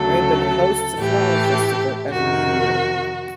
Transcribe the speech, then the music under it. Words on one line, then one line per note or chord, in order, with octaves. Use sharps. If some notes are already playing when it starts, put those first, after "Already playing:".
Rebun hosts a flower festival every year.
Already playing: D2 C#3 F#3 A3 A4
A2 E3 A3 G4
F2 C3 D#3 F#4